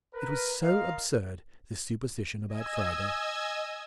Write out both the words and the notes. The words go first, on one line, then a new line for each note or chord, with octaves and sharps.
It was so absurd, this superstition about Friday.
A#4 B4
F4 A#4 D#5 F5
D#5 G#5 E6 G#6